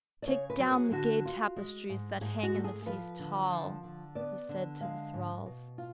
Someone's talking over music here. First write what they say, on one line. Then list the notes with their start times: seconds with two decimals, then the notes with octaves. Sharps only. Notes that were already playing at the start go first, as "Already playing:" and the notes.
"Take down the gay tapestries that hang in the feast hall," he said to the thralls.
0.22 D5
0.27 C#3 C#5
0.50 B4
0.59 F#3
0.71 G#4
0.92 D3 F#4
1.25 F4
1.56 G#3
1.89 G#2
2.21 G#2 G#4
2.43 F#4
2.54 A3
2.64 G#4
2.86 F3 B4
3.19 D3
3.51 F3
3.83 D3
4.15 B3 D5
4.49 D3
4.80 G#3 F5
5.14 G#2
5.46 B2
5.78 F4